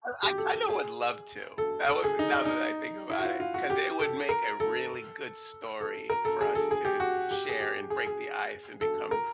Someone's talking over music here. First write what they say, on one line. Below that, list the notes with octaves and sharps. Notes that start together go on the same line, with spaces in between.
well, I kinda would love to. That would be now that I think about it 'cause it would make a really good story for us to share, and break the ice, and become
G4
A4
A4
G#4
A4
A4
G#4
D#4
D4
D#4
E4
F#4
F4
F4
F#4
G4
A4
A#4
A4
A4
A#4
A4
G#4
A4
G#4
G4
F#4
G4
G#4
G4
G#4
G#4
A4
A#4